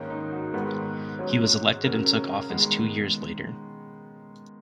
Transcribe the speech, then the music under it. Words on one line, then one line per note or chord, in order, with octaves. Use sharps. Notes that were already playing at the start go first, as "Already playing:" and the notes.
He was elected and took office two years later.
Already playing: G#2 D#3 A#3 C#4
D#4
F#4
G#2 D#3 G#3 B3 B4
G#2 F#3 C#4
C#3 F#3 C#4 A#4
D#3 G#3 B3